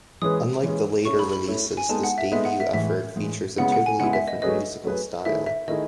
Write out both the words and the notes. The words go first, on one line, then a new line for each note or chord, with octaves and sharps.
Unlike the later releases this debut effort features a totally different musical style.
E3 G#3 C#4 G#4 B4 D#6
E3 G#3 C#4 G#4 B4
A3 C#4 E4 C#6
B5
B5
A3 C#4 E4
G#5
G#3 B3 D#4 A4 A5
F#5
E5
G#3 B3 D#4 A4 E5
F#5
E5
A2 E3 G#3 E5
A2 E3 G#3
C#3 G#3 B3 E4 F#5
F#5
G#5
C#3 G#3 B3 E4 F#5
E5
D#5
F#3 A3 C#4 G#4 B4 D#5
F#3 A3 C#4 G#4 B4
D#3 A3 E4 G#4 E5
E5
D#3 A3 E4 G#4 D#5